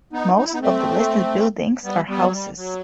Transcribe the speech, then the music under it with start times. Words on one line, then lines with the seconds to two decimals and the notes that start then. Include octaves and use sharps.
Most of the listed buildings are houses.
0.13 B3 D#4
0.37 D#4
0.45 E4
0.53 B3 D#4
0.61 A3 C4
1.84 G3 B3
2.09 G3 B3
2.23 F#3
2.32 G3
2.57 F#3